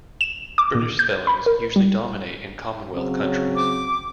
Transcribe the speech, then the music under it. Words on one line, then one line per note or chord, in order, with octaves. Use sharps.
British spellings usually dominate in Commonwealth countries.
E7
D6
A#2
G6
B5
A#4
G3
C#3 F#3 C4
D6